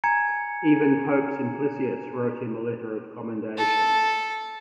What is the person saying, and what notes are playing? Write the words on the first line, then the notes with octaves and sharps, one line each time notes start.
Even Pope Simplicius wrote him a letter of commendation.
G#5 A#5 G#6 C#7
A4